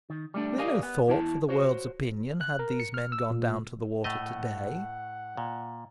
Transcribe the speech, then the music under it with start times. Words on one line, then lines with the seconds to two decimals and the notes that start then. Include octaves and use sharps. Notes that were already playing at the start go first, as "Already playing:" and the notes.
With no thought for the world's opinion had these men gone down to the water to-day.
0.10 D#3
0.34 G3 A3 D4
0.59 G4 A#4 D5 D#5 F5 G#5
0.83 B3
1.08 E2 E4 A5
1.49 F#4 C5 C#5
2.41 F#6
2.59 A#4
2.80 C#7
2.94 F6
3.12 E6
3.31 A#2
4.04 A2 A3 D#5 F#5
5.37 A#2